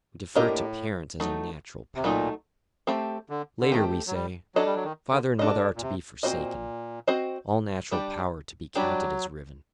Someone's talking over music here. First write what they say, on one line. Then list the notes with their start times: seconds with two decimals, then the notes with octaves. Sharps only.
We defer to parents as a natural power; later we say: Father and mother are to be forsaken, all natural power to be counted as riven.
0.35 A2 A#3 D4 G4 A#4 D#5
1.20 F#3 A3 D#4
1.95 C3
2.04 A#2 F#3 A3 D#4
2.87 A3 C4 G4
3.29 D3
3.61 D3
3.72 D#3 A3 C4 G4
4.07 F#3
4.14 G3
4.55 F#3 D4 A4 D#5
4.66 G3
4.75 F#3
4.84 D#3
5.11 D3
5.39 C3 D4 A4 D#5
5.76 A#2
5.82 C3
6.23 A#2 C4 F#4 C5 D#5
7.07 C4 F#4 C5 D#5
7.91 G3 D4 G4
8.75 F#3 G3 D4 G4